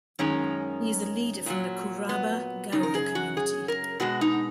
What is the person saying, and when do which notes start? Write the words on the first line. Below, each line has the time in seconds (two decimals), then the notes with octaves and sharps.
He is a leader from the Kuruba Gowda community.
0.19 F#2 D#3 G#3 C#4
1.46 A#2 F#3
2.09 B3
2.72 F#2 C#3 D#4
2.83 A#4
2.95 G#4
3.15 F#4
3.37 G#4
3.68 A#4
4.00 B2 G#3 F#4
4.21 D#4